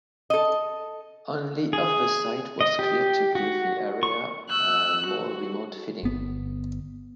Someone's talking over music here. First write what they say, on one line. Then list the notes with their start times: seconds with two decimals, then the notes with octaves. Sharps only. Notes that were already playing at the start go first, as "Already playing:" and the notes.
Only of the site was cleared to give the area a more remote feeling.
0.30 A4 D#5
1.73 G#4
2.61 D#5
2.79 G4
3.35 F#4
4.03 C#6
4.49 E6 F#6
5.06 F#4
6.04 G1 B3